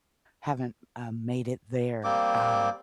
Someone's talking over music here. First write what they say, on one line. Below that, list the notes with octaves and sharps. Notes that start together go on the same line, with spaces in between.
haven't, uh, made it there, uh,
G3 A#3 C4 D6